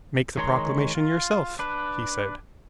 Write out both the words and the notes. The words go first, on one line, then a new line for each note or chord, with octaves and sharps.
Make the proclamation yourself, he said.
D#3 G#3 C#5 A#5 C6
F4
D4 B4